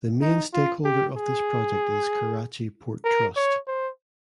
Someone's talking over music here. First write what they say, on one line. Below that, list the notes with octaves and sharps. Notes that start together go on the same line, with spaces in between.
The main stakeholder of this project is Karachi Port Trust.
D#4
F4
G4
G#4
A#4
C#5
C5